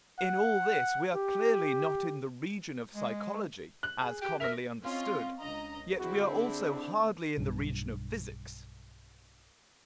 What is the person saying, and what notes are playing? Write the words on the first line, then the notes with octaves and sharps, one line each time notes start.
In all this we are clearly not in the region of psychology, as commonly understood; yet we are also hardly in the region of physics.
F#5
G4
G#3
F#6 F#7
G#4
G4 G5
A#4 E5 A#6 F7
C4 C#4 F4 D#5
C#2 D4 D#5 A#5
D3 C4 E4 F#4 G#4
D4
B1 G2